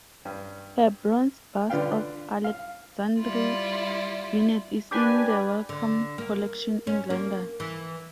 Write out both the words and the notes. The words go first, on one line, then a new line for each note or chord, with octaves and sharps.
Her bronze bust of Alexandre Vinet is in the Wellcome Collection in London.
G2
D3 F4 B4 D5 F5 G5
F5
G3 E4 F4
D4 G4 B4 G#5
D3
A#3
C#4
A#3
E3